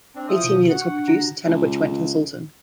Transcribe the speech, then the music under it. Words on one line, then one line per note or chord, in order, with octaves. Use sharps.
Eighteen units were produced, ten of which went to the Sultan.
C4 D4
F3 E4 C5 E5 D#6
B2 D#3 F#4
F#5 C#6
D4
D3 F#4 A#5
C#2